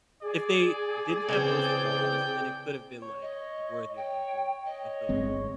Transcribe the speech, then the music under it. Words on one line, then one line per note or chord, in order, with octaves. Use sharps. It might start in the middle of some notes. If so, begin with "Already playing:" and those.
if they didn't have those flaws, then it could've been, like, worthy of those movie of those awards.
G#4 D5
C#3 E3 C4 G5 G6
C#5
D#5
G5
D#5
G1 G#3 C4